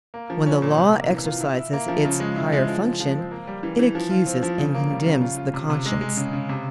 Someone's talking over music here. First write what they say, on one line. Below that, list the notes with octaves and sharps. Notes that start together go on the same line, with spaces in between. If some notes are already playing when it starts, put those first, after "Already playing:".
When the Law exercises its higher function it accuses and condemns the conscience.
A#3
F3
C#4
A#2
C3
A#3
E3
F4
E4
E4
A#3
F3
C#3
G#3
E4
G#3
F3
F3
F3
C4
A#3
G3
E3
E3
F3
F4
C4
F3
C#3
A#3
G3
C#3
F4
F4
C3
C3
G#3
G#3
C#3
C#3
C3